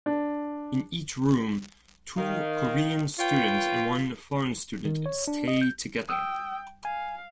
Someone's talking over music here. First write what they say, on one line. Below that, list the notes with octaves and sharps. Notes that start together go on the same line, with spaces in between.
In each room, two Korean students and one foreign student stay together.
D4
D#3 F5
F4 B4 C#5 G5
D#3
C#5
D4
D#5
G6
G5 D#6 E6
F5 G#5